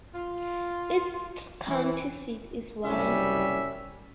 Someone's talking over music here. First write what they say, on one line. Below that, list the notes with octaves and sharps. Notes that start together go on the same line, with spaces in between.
Its county seat is Warrensburg.
F4
E3
F#1 C2 G3 C#4 E5